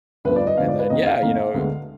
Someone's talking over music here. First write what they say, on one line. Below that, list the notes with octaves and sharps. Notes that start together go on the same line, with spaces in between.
Um, and then yeah, you know,
D2 D3 F3 B3 B4
D5
D#5
D2 D3 F3 B3 F5
D5
B4
F2 D#3 A#3 D#5
F5
F2 D#3 A#3
D2 D3 G#3 B3